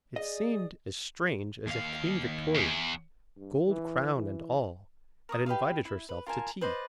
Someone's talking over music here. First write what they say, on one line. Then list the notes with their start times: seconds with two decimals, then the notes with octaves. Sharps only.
It seemed as strange as if Queen Victoria, gold crown and all, had invited herself to tea.
0.16 G#4 D5 D#5 D#6
1.67 D#2 F5
2.55 E2
3.37 G2
3.67 E3
4.15 E3
5.29 A#4 C#6 D#6
5.46 G4 B4 D#5 F5
5.85 E4
6.09 B4
6.26 F4 A#4 G#5 A5
6.61 B4 C5 D5 D#5